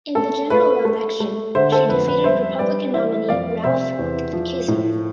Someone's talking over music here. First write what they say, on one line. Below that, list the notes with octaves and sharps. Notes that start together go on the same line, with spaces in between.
In the general election she defeated Republican nominee Ralph Kizer.
A3 A4
A3 B4
A3
A3
D3 C5 E5
A4 C5
F2 B4
B4
G3 C5 E5
G3 B4 D5
E3 C5 E5
F2 D5 F5
C3 C5 E5
E2
F3
A2